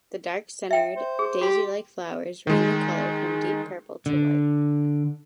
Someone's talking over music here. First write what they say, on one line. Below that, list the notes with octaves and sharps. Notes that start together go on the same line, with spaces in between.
The dark-centered daisy-like flowers range in color from deep purple to white.
E5 G5
C5
G#4
F#4 G4 C6
D#3 G#3
D3